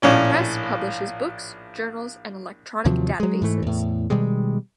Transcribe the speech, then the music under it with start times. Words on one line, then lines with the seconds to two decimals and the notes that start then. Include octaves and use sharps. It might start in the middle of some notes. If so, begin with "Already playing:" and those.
The Press publishes books, journals, and electronic databases.
0.02 A#1 A2 C#4 D5
2.85 D#2 C3 F3 F#3
3.20 F#3 G#3
3.42 G#2 E3 A3
3.63 E2 A2
4.10 B2 D#3 G3 G#3